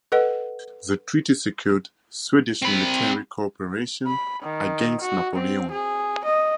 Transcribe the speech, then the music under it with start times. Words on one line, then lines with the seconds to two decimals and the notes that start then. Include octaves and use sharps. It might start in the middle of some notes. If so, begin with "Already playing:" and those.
The treaty secured Swedish military cooperation against Napoleon.
0.12 A4 B4 D#5 F#5
2.62 C4 B5
4.07 B5
4.42 D#3
5.01 F#4
5.35 C4
5.71 G#4
6.25 D#5